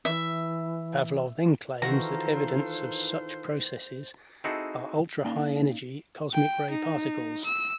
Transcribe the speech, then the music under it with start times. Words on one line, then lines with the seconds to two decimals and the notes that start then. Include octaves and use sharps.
Pavlov then claims that evidence of such processes are ultra-high-energy cosmic ray particles.
0.05 E3 E5
1.82 D#3 E3 F4 F#4 A4 C5 A#5
4.44 C4 D#4 E4 F#4 G#4 A4
5.25 A#3 C#4 D#4 D5 F5
6.34 G5
6.71 D#4
7.45 E6